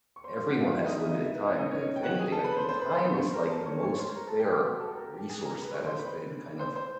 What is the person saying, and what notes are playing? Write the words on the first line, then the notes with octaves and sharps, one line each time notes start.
everyone has limited time. If anything, I think time is, like, the most fair resource that has been, kind of,
C#6
C5 C6
C5 C6
F#4 F#5
F4 F5
E4 E5
D#4 D#5
E4 E5
D#4 D#5
E4 E5
B3 B4
C#4 C#5
D#4 D#5
C#4 C#5
G5
F#4 F#5
G#4 G#5
A4 A5
B4 B5
C5 C6
C5 C6
B4 B5
C5 C6
C5 C6
C#6
C5 C6
A#4 A#5
A4 A5
C#5 C#6
C#5 C#6
C5 C6
A#4 A#5
A4 A5
G4 G5
F#4 F#5
G4 G5
A4 A5
A5
A#4 A#5
G4 G5
G#4 G#5
A#4 A#5
B4 B5
C#5 C#6
C5 C6
B4 B5
C5 C6
C5 C6